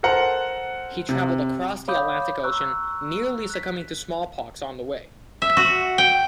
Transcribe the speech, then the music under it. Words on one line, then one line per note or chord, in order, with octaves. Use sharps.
He traveled across the Atlantic Ocean, nearly succumbing to smallpox on the way.
A4 A#4 C5 F#5 A#5
C3
C#5 F5 B5 D6 D#6 G6
A#5 C#6 E6 F#6
F#6 B6
E5
F#4
G5